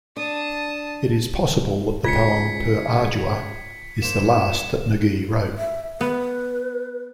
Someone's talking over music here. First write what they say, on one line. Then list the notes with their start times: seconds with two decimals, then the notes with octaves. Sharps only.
It is possible that the poem, "Per Ardua", is the last that Magee wrote.
0.17 D4 A5 D#6
2.05 C#2 G#3 C#4 F4 G#6 B6 C#7
4.02 A#3 C5 E7
5.58 E5
6.01 B3 B4